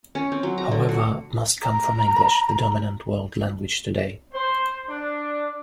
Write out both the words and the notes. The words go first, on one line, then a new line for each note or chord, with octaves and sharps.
However, most come from English, the dominant world language today.
C#4
C4
F#3
A#5
D3
F#4
A#5
C5
D4